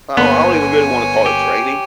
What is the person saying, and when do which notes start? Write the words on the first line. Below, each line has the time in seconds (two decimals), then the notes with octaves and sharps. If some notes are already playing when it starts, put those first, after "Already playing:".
I don't I don't even really wanna call it training,
0.17 G1 A#3 B3 C#5 G#5 C6
1.26 G4